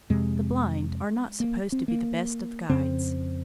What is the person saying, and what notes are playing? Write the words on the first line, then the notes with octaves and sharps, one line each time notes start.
The blind are not supposed to be the best of guides.
F2 C3 G#3
A#3
C4
A#3
F2 C#3 C4